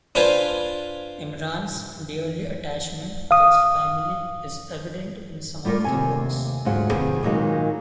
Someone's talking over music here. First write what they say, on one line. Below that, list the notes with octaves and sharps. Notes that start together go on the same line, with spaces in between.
Imran's dearly attachment with his family is evident in some of the books.
D4 F4 B4 C5 F5 G#5
F5 D#6
G3 A3 F4 G4 A#4 D5
D#2 C3 G#5
D2 G#2 F#3 F4 G#4 F#5
C3 D#3 B3 G#4
A#2 D#3 F#3 G#3 A#3 D#4